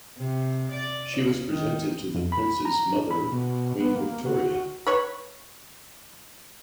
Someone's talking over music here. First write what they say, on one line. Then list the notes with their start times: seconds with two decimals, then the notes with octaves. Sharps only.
She was presented to the Prince's mother, Queen Victoria.
0.18 C3
0.71 D5
1.17 C#3
1.48 D#3
2.15 F2
2.32 B5
2.65 A#5
2.93 D4
3.11 B5
3.32 B2
3.80 B3
3.95 A#3
4.26 F#4
4.87 B4 C#5